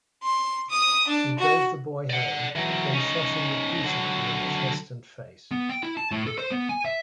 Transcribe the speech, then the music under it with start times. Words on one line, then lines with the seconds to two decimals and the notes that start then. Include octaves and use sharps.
He drove the boy home, then shot him repeatedly in the chest and face.
0.22 C6
0.70 D#6
1.07 D4
1.39 F#4
2.10 D5 F#5
2.55 E3 F#3
2.94 C#4 D#4
3.84 D3 F#3
5.51 B3
5.70 G5
5.83 E4
5.97 A5
6.11 A2
6.27 A4
6.38 C5
6.52 B3
6.69 G#5
6.85 E5